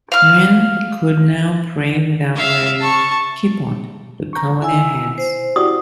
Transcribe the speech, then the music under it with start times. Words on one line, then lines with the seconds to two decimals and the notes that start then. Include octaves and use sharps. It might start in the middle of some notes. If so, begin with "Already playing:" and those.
Men could now pray without wearing kippot to cover their heads.
0.12 F5 F6
2.36 E5 F5
2.81 A5 C#6
4.33 A#5 C#6
4.62 E4 G#5 E6
5.18 C5
5.56 E4 F#4 G4 D5 D#6